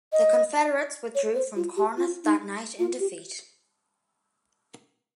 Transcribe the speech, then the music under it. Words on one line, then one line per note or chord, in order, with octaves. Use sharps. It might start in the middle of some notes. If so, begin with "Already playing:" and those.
The Confederates withdrew from Corinth that night in defeat.
D#5
C#5
C5
F4
G4
F4
D#4
F4
G4